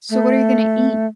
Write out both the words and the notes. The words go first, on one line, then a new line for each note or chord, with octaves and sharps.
So what are you gonna eat?
A3